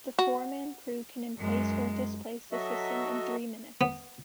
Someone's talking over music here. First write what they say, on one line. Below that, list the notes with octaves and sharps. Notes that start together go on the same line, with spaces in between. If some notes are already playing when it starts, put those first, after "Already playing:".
The four-man crew can emplace or displace the system in three minutes.
F#4
F#2 G#3
F#3 F#4 A4 D#5 E5
B3